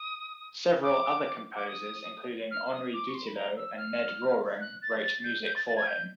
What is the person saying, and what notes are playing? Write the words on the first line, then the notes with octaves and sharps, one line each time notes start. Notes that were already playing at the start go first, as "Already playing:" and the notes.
Several other composers, including Henri Dutilleux and Ned Rorem, wrote music for him.
Already playing: D#6
D6
D6
D#6
F6
D#6
D6
C#6
C6
B5
A#5
E6
F6
F#6
A6
A6
G6
G6
A6
A6
G#6
G6